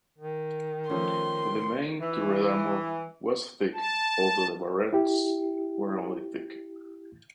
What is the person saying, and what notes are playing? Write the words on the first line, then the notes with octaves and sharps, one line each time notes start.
The main turret armor was thick although the barbettes were only thick.
D#3
F3 A3 C#4 C6
E3
A5
E4 G4